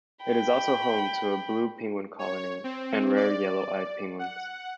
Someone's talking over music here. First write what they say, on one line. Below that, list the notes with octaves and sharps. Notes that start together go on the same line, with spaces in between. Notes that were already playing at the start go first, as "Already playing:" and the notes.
It is also home to a blue penguin colony, and rare yellow eyed penguins.
G5 B5
C#5
C4
D5
F#5